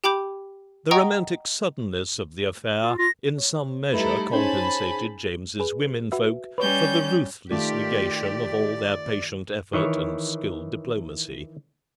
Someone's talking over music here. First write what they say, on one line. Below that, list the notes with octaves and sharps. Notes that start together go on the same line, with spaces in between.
The romantic suddenness of the affair in some measure compensated James's women-folk for the ruthless negation of all their patient effort and skilled diplomacy.
G4 G5 B5 D6 G6
D#5 F#5 G5 A#5 C#6 D#6
F4
F4 A#6
C#5
G3 A3 D#4 E4 A4 B4
C#4 D#4 G#4 C5 C#5 G#5 A5 B5
G#4 B4
F#4 B4 E5
G3 C#4 B4 C#5 G6
D#3 A3 F4 G4 D5
D#3 E3 C#5